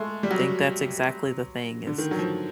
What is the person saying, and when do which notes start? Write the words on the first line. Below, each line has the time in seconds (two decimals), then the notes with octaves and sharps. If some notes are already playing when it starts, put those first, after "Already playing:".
think that's exactly the thing is,
Already playing: G#3 A3
0.23 G3
0.31 F#3
1.87 D3
1.98 D#3
2.11 F#3
2.19 F3